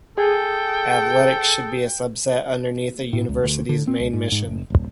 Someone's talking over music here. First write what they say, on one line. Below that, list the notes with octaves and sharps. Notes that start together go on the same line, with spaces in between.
Athletics should be a subset underneath a university's main mission...
G#4 A4 G5
A2
C#2
D2
D3
C4
C#2
G#2
G#2
F#1
D#1